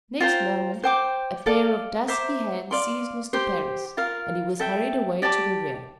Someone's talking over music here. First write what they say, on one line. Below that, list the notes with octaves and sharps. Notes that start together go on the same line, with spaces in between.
Next moment, a pair of dusky hands seized Mr. Parris, and he was hurried away to the rear.
F4 C5 G5 A#5
C5 G5 D6
A4 D5 F5
C5 E5 A#5 D6
D5 F5 C6
G4 C5 G5 C6
F4 A#4 F5
A4 E5 G5
G4 D5 A5 D6